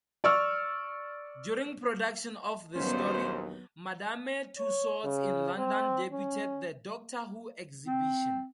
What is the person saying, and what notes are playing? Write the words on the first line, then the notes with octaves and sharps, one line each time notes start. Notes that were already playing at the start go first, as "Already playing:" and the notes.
During production of this story, Madame Tussauds in London debuted the "Doctor Who Exhibition".
D5 C#6 E6 F6
A#1 D#2 F#3 G3 B3 C#4 C5
C#5
C#3
C4
C#4
C4